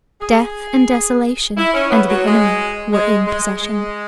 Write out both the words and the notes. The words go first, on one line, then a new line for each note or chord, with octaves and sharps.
Death and desolation and the enemy were in possession.
G#4
E4
C#4
B3
F#3
G#3
G#3
G#3
G#3